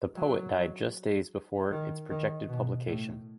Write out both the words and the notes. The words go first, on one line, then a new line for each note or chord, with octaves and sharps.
The poet died just days before its projected publication.
F#3
D#3
D#3
B2
A2